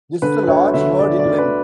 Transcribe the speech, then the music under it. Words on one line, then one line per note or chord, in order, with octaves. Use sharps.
This is a large bird, in length.
D3 B4
B4
D2 C#5
D3 E5
D2 D5
D5
D2
B4